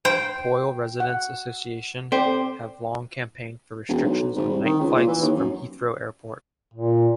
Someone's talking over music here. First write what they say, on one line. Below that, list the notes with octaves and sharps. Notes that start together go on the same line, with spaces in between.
Poyle Residents Association have long campaigned for restrictions on night flights from Heathrow airport.
C5 G5
F#5
C4 A4 C5 D5 G5
E1
B1
G#1
C2
D#3
C#2
A#2
E3
D#2
F#2
A#2